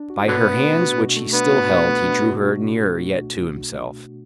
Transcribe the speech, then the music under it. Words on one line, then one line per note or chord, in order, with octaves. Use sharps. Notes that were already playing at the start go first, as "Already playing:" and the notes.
By her hands which he still held he drew her nearer yet to himself.
Already playing: D4
F#4
B2 D3 F#3 B3
A3
D4
F#4
B2
A3
B3 D4
F#4
B2
A3
D4
F#4
B2